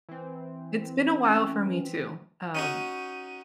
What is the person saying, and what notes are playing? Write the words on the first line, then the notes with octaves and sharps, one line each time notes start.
it's been a while for me too, um,
E3 C4
C#4
C#4 D#4 F#4